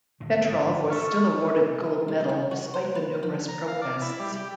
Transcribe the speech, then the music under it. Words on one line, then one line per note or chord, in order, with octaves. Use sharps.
Petrov was still awarded the gold medal despite the numerous protests.
G#1 A2 D3
A4 E5 C#6 F6
G2
D4
F#4
C5
B4
F3
A#5
F5
D5
E4
G3
G4